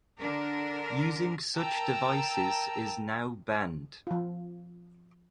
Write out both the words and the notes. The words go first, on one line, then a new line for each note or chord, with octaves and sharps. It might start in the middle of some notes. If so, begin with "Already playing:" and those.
Using such devices is now banned.
D3 D4 A#4
A#4 G5 A5 A#5 E6
F3 F4